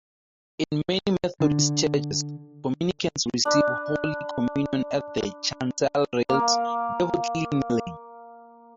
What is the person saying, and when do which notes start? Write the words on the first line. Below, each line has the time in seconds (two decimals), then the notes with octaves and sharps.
In many Methodist churches, communicants receive Holy Communion at the chancel rails, devoutly kneeling.
1.40 D3
3.45 D4 B4
6.29 A#3 F5